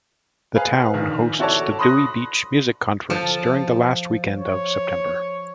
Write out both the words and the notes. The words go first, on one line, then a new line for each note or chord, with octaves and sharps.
The town hosts the Dewey Beach Music Conference during the last weekend of September.
G#4 B4 F5
A#1 D#3
E4 F#4 A4 C#5 D5 A5
B5 C6 D#6 F#6 A#6
F3 A4
C#5